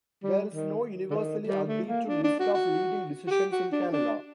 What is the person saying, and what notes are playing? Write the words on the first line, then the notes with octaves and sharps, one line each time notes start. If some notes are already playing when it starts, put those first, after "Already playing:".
There is no universally agreed-to list of "leading decisions" in Canada.
G3
D#3
D3
D#3
G3
A3
A#3
D4
D4
F#4
F#4
F#4
G4
F#4
D4
D4